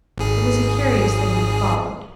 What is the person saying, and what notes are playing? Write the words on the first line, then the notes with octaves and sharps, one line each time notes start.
It was a curious thing that followed.
G#1 G#4